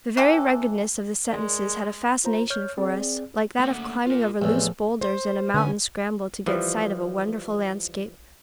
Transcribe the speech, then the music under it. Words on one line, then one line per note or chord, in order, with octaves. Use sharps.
The very ruggedness of the sentences had a fascination for us, like that of climbing over loose bowlders in a mountain scramble to get sight of a wonderful landscape.
E3 C4 G4 A4
G#3 G#4 A#4 D5
F4 C5 A#5
C#5 F6 G6
C4 G#4 D5
A3 A#3 F#5
F4 A#4
A1 E2 F3
C5
D3 B3 C#4 G#5
E3 F3 G3